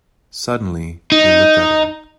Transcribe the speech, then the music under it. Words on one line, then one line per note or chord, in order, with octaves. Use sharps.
Suddenly he looked at her.
D#4